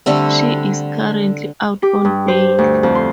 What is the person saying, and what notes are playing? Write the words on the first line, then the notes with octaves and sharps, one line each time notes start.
She is currently out on bail.
D3 G3 A3 C4
G4
G2
C5
D2
F2
C6